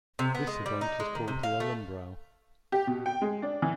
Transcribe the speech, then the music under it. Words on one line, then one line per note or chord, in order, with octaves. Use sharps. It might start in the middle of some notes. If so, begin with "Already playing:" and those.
This event is called the "alumbrao".
C3
B3
G#3
G3
D#4
G#3
D#3
C3
F5
A3
G4
B2
G5
G#3
D4
E3